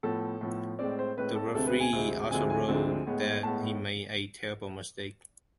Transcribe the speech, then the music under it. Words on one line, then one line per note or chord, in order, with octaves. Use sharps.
The referee also wrote that "he made a terrible mistake".
A2 F3 B3 A4
A2 F3 B3
A2 G#3 C4 D5
C5
A2 G#3 C4 B4
A4
D2 C3 G#3 C4 A4
B4
G#5
D2 C3 G#3 C4
D2 D3 F3 G#3 C4 G#5
G#5
D2 D3 F3 G#3 C4
A2 G#3 B3
A2 G#3 B3 A5